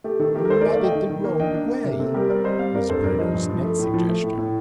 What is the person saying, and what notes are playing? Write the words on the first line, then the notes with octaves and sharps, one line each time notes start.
"Rub it the wrong way," was Bruno's next suggestion.
A3 G4
D#3 A4
A3 G4 A#4
A#4
D#3 A4 C5
A3 A#4 D5
D5 F5
A3 D#5 G5
D#3
D#3
A#3
D4 D#5 G5
D4
A#3
C3
C4 A4
G3 G4 A#4
C4 A#4 D5
G3 C5 D#5
C4 D5 F5
C4 A#4 D5
G2 A4 C5
G2 A#4 D5
F3 C5 D#5
G2
F3
A3
A2
F3
A3
A2
A2